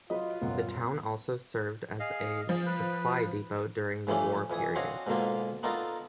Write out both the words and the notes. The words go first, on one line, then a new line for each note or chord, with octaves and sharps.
The town also served as a supply depot during the war period.
F#3 F4 F#4 B4 D#5
D#1 F#2 B3 F#5
G#4 D#5 F5
F3 G#4
B4
A2 E3 F3 A3 C#4 D4
F2 E3 G#5 D#6
C4 D4 F#4 C#5 D#5 F5
G#2 B2 D3 A#3 F4
B3 D4 D#4 F4 A4 A#4